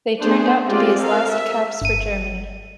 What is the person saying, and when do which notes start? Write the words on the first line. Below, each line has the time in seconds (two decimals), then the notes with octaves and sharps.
They turned out to be his last caps for Germany.
0.21 A3 B3 D4 G#4 C5
0.66 G#3 C4 F4 G4 D5
1.01 A4 A#4 F5
1.30 E5
1.82 G1 D#7